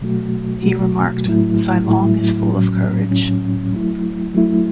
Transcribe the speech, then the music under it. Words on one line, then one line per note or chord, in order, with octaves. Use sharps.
He remarked, Zilong is full of courage.
B2 F#3 A3 F#4
B2 F#3 A3 F#4
A2 F#3 A3 E4
A2 F#3 A3 E4
A2 F#3 C#4
A2 F#3 C#4
F#3 A3 E4
F#3 A3 E4